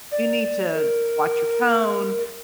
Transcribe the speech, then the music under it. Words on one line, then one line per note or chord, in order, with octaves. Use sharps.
you need to watch your tone,
D5
A#4